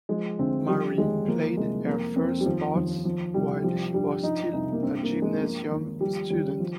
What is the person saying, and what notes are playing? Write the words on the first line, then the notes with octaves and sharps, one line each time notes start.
Mary played her first parts while she was still a gymnasium student.
F3 G#3
D2 C4
F3 G3
D#2 G#3
F3 A#3
C2 G#3
F2 A#3
F2 C4
G3
D#2 F3
D#2 F3
F3
C2 G3
F3 G3
G2 G3
F3 D#4
C2 D#4
A#3
G2 C4
A#3
G2
G#3
F3 A#3
D#2
F3 G3
D#2 G3
F3